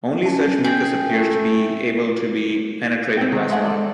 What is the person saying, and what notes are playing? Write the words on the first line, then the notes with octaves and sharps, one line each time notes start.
Only such mucus appears to be able to be penetrated by sperm.
C#4 E5 A5
G#4 G5
A3
C4 G5
D#3 F#3
G#3 A3 F#5
A4 D5